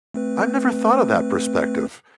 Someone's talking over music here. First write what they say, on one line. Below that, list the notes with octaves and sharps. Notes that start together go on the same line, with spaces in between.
I've never thought of that perspective.
A3 C4 B4